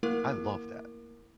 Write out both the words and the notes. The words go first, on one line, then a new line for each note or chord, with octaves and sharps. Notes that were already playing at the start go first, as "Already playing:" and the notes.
I love that.
A3 A#3 E4 A#4